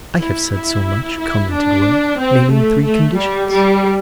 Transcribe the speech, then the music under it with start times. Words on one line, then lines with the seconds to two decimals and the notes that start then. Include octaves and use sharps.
"I have said so much," commented Will, "naming three conditions."
0.19 E4
0.52 E4
1.18 E4
1.51 D4
2.18 C4
2.51 A3
2.84 A3
3.17 G3
3.51 G3